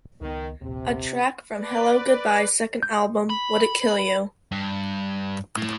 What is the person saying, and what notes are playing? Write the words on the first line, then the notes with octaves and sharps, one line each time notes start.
A track from Hellogoodbye's second album Would It Kill You?
C#2 D#3 B3
D#1 A#1 C3
B4 D5
G6
B5
G2
A2